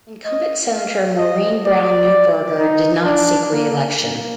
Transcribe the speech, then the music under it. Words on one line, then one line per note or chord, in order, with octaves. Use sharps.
Incumbent Senator Maurine Brown Neuberger did not seek re-election.
D#5
F5
D#5
D5
D#4
D4
A#3
A#3